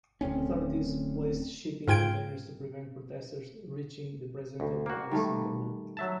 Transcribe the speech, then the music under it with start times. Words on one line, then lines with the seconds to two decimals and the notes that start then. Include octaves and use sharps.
Authorities placed shipping containers to prevent protestors reaching the presidential palace in Kabul.
0.21 D1 D2 C4 C#4
1.88 G#2 F4 G5 G#6 D7
4.60 D2
4.86 A#3 F#4
5.11 D#3 G3 A3
5.97 F#3 E5 A5